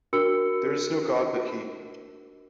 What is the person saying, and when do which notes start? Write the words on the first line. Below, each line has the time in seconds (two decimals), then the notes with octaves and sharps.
There is no God but He.
0.13 D4 F#4 A#4 E6 C#7